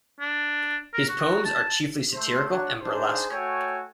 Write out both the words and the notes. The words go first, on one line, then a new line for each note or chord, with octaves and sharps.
His poems are chiefly satirical and burlesque.
D4
A#4
F#4
A5
A3 C5
D4 F#4 C#5
D4 D#4 G#4 C5
A3 F#4 A4 C#5 G5 G#5